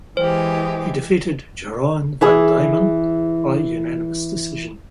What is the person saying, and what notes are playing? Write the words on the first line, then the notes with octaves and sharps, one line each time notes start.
He defeated Jeroen van Diemen by unanimous decision.
E3 G#3 G4 C5
E3 E4 G#4